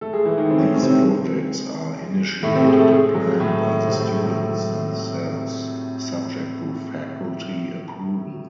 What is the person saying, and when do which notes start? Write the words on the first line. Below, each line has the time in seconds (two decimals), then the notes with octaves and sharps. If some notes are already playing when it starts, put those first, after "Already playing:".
These projects are initiated and planned by the students themselves, subject to faculty approval.
0.01 A3 A4
0.13 G#3 G#4
0.25 E3 E4
0.37 D#3 D#4
0.50 C4
0.58 C#4
0.66 C4
0.74 C#4
0.82 C3 C4
0.98 G#3
2.43 A2 A3
2.55 C3 C4
2.67 G#3 G#4
2.79 A3 A4
2.91 G#3 G#4
3.15 F#3
3.27 G#3
3.40 A2 A3
3.88 C3 C4
4.00 A2 A3
4.12 G#3
4.24 F#3